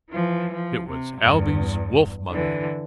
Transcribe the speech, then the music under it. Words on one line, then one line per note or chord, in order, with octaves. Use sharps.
It was Ailbe's wolf-mother.
E3 F3
F3
C3
E2 G2
D3 E3